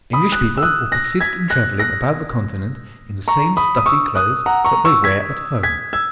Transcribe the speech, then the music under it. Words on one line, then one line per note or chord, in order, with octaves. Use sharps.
English people will persist in travelling about the Continent in the same stuffy clothes that they wear at home.
B5 D#6
D#6 F#6
E6
D#6 F#6
F#6 A#6
G#6 B6
F#6 A#6
F#6 A#6
A#5 C#6
B5 D#6
D#6
C#6 E6
D#6 F#6
F#5 A#5
A#5 C#6
C#6 E6
G#6 B6
G#6 B6
E6 G#6